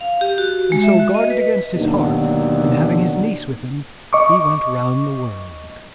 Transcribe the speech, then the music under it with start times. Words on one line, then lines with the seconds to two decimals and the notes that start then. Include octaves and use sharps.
And so, guarded against his heart and, having his niece with him, he went round the world....
0.01 F5
0.21 G4
0.38 F#4
0.72 G#3
0.83 E5
1.00 F#4
1.14 D#5
1.30 B4
1.76 D#2 B2 D3 F#3 D4
4.13 D#5 C#6 D6